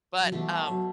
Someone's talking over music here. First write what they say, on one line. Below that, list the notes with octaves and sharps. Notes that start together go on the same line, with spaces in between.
But, um,
F#3
B2 E3 G3 A3 D4
F#3